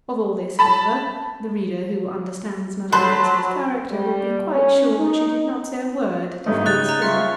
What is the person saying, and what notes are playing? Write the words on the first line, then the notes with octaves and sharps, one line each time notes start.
Of all this, however, the reader who understands Madame Goesler's character will be quite sure that she did not say a word to Phineas Finn.
A5 B5
F#3 C5 A5 B5 C6 F#6
G3
C#4
D#4
G#1 G2 A3 D#4
C#3 G3 G#4 F#6 A6
A#5
C#2 F4 E5 F5 C#6 C#7